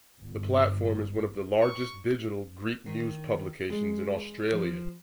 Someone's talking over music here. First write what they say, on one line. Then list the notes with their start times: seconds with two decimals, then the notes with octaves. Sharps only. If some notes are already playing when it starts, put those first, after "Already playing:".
The platform is one of the largest digital Greek news publications in Australia.
0.19 G1
1.61 C#6
2.86 D#3
3.70 G#3
4.52 F3